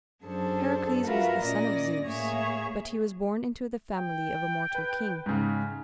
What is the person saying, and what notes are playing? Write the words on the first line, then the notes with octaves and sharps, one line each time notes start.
Heracles was the son of Zeus, but he was born into the family of a mortal king.
F#2 D4 G#4 A4 C5 A5
F4 F#4 A#4 B4 E5 F5
A#2 C#4 D5 D#5 A#6
A2 A#3 G#4 C#5 E5 C#6
G5
B4
G#2 C#3